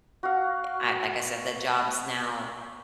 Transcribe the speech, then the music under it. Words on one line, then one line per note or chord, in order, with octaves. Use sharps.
I like I said, the jobs now
F#4 F5